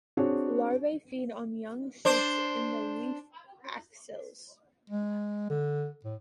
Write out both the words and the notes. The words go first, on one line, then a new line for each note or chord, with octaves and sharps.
Larvae feed on young shoots in the leaf axils.
C4 D4 F#4 G#4 C#5
D4 C5
G#3
D3
A2